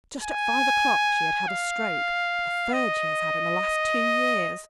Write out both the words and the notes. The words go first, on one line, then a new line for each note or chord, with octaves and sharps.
Just at five o'clock she had had a stroke, the third she has had in the last two years.
G#5
F5
D#5